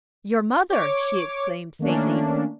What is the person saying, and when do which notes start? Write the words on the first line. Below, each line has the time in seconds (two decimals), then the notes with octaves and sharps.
"Your mother!" she exclaimed faintly.
0.70 C#5 D6
1.79 D#3 A3 A#3 C#4 D4